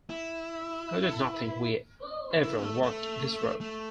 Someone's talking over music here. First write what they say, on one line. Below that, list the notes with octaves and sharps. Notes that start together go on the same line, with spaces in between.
He did not think we ever walked this road.
E4
E4
A3
A3
A3